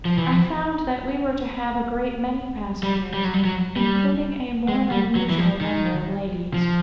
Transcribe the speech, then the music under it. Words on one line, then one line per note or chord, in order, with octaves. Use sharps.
I found that we were to have a great many passengers, including a more than usual number of ladies.
F3
E3
F3
G3
G3
F#3
G3
F#3
G3
G#3
G3
F#3
E3
F3
D#3
F3